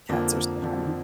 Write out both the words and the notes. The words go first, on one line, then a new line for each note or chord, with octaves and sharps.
Cats are so funny.
F2 D3 F3 A#3
F2 D3 F3